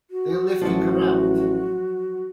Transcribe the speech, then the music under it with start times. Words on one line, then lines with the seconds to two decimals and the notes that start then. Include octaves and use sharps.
They are lifting her out!
0.11 F#4
0.61 A1 F3 F#3